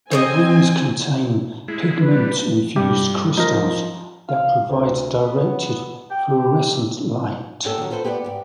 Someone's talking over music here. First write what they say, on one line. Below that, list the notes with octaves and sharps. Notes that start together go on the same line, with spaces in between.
Their wings contain pigment-infused crystals that provide directed fluorescent light.
C4 C5 D5 D#5 G#5
G#3 E4
B4
G3
G2 G4
F3 D#4 A#4
F5
D2
B3
G5
G4
G#2 A#3 C#4 G4 A4
D#3 F#3
F4 A4 B4 C5
B3 G4 B4 C5 D5
G#2 G4